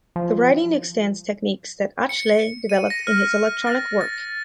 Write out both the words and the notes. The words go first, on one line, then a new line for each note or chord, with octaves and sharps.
The writing extends techniques that Atchley developed in his electronic work.
F3
C#7
D#7
A#6
F6
A6
A6